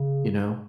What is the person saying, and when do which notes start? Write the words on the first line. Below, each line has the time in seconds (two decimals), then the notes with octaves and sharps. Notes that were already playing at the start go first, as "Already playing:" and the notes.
you know?
Already playing: C#3